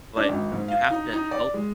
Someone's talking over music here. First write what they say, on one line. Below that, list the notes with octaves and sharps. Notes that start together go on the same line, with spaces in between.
but you have to help
D4
G#1
G#2
F5
D#4
D#4
D5
G#3